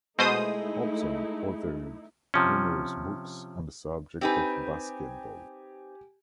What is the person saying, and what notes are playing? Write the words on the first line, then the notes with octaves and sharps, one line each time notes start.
Hobson authored numerous books on the subject of basketball.
B2 G#3 A3 D#4 E4 C5 D#6
C3 F3 C#4
C4 D#4 G4 B4 G#5